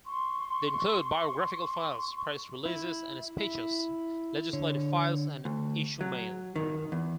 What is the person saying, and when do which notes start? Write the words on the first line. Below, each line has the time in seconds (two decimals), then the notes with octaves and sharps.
They include biographical files, press releases and speeches, legislative files, and issue mail.
0.06 C6 C#6
2.65 E4
3.38 E4
4.53 D3 C#5
5.45 D2
6.01 F#3
6.56 D#3
6.92 E2